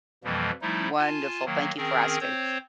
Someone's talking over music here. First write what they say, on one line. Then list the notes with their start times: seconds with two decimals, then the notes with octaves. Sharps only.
Wonderful, thank you for asking.
0.24 F2 B2 E3 F3 G3 A#3
0.62 F3 G3 A3 D#4 E4
0.98 F4 G#5 A5
1.46 D#3 F#3 A#3
1.77 D#3 C4 C#4 G#4 A#4
2.20 C4 C5 C#5